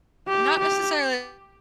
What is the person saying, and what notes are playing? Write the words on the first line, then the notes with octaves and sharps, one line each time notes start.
not necessarily
G4
G4